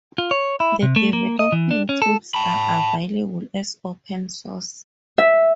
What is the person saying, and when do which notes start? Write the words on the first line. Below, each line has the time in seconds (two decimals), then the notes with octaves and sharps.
The development tools are available as open source.
0.18 F4
0.31 C#5
0.60 E4
0.83 C3
0.96 A3
1.13 A#3
1.39 D#5
1.52 E3
1.71 D4
1.89 C#4
2.02 A4
2.34 A5 B5
5.18 E5